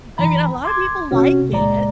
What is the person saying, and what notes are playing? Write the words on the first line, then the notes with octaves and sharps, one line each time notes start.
I mean, a lotta people like it.
F#2 E3 A#5 B5
C6 D6 G#6
C3 C#4 F#4
C#2 A#2 G#3 D5 A#5